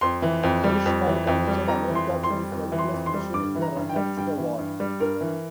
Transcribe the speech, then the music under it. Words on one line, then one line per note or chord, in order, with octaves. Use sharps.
Bush had committed America to this selfless mission in the run-up to the war.
F2 C6
E3
F2
G3
F2
E3
F2
G3
F2 A#5
E3
C6
F2
C6
G3
F2
E3
C6
F2
C6
G3
G2 D6
E3
A#5
G2
G5
G3
G2 G5
E3
G2
G3
G2 A#4
E3